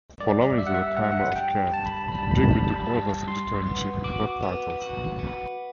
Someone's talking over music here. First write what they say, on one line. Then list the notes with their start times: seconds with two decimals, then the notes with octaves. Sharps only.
Following the retirement of Kerr, Digby took over as Editor-in-Chief of both titles.
0.20 G2 D5
0.58 G3 E5
0.67 F#5
0.74 E5
0.96 G2 F#5
1.04 E5
1.12 F#5
1.36 G3 G5
1.74 G2 A5
1.86 B5
1.97 A5
2.08 G3 B5
2.19 A5
2.31 B5
2.41 A5
2.50 G3 B5
2.64 A5
2.76 B5
2.87 G2 A5
3.28 G2 C6
3.66 B3
4.04 F#4 D6
4.20 D6
4.42 B3
4.82 F#4
5.19 B3